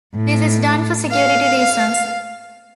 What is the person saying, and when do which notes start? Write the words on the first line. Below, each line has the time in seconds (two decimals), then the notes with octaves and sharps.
This is done for security reasons.
0.16 A2
1.11 F5